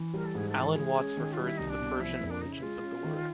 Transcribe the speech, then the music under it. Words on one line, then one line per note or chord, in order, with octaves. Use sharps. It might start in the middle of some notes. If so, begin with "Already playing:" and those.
Alan Watts refers to the Persian origins of the word.
Already playing: E3
G3 A#4
A4
G#2 G#4
A4
E3
A4
G#3 G#4
C#4
D#3
F4
G3
E4
C2 D#4
D4
B2
F3 E4
F2
D4
C#3 D#4
E4
G#3 F4
C#4
D#3